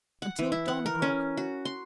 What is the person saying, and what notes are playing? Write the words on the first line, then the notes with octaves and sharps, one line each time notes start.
Until dawn broke.
F#5
E3
E4
F#5
A#4
C#4
F#4
C6